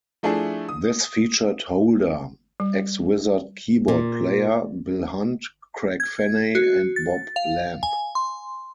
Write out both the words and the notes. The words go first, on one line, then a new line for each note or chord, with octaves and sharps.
This featured Holder, ex-Wizzard keyboard player, Bill Hunt, Craig Fenney and Bob Lamb.
F3 A3 D4 E4 G#4
D#6
G3
A#2
G#6
F#4
A6
F5
G#5
C6